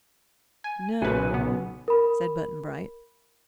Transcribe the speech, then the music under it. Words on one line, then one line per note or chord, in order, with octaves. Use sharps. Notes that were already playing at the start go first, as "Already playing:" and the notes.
"No," said Button-Bright.
G#5
B1 A#2 C#3 F#4 B4 G#5
C#3 B3
A#4 B5